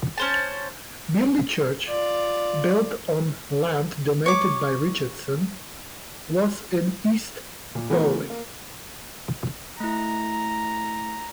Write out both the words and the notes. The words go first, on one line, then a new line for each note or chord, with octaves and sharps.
Bierley Church, built on land donated by Richardson, was in East Bowling.
C#4 C5 A5
F4 D5
C#5 D6
A#2
E3 A3 B3 F#4 A#4
A#3
A3 E4 A#5